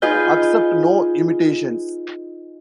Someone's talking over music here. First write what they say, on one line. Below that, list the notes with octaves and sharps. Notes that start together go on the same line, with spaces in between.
Accept no imitations.
D#4 F4 G#4 B4 D#5 G6